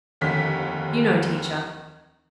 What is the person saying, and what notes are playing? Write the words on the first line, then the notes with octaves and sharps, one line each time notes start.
You know, teacher.
F1 D#2 D3 B6